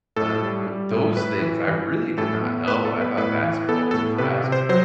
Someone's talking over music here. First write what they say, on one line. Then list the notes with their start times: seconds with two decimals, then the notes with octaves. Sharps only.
Uh, w those things, I really did not know. I thought basketball was just basketball.
0.16 A2 A4
0.42 G3
0.67 G3
0.92 A2
1.17 A2 B4
1.42 E3
1.68 E3
1.92 E3
2.17 A2 A4
2.42 B3
2.68 A2 B4
2.85 A4
2.93 B3
3.01 B4
3.18 A2 B4
3.43 E3
3.69 B3 A4
3.91 A2 A4
4.18 C3 B4
4.44 C3
4.52 C5
4.69 F#3 C5